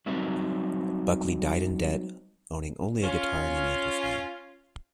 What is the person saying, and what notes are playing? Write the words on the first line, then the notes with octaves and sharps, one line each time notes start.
Buckley died in debt, owning only a guitar and an amplifier.
F#3 G3 C4 D#4 A#4 E5
C#4 F4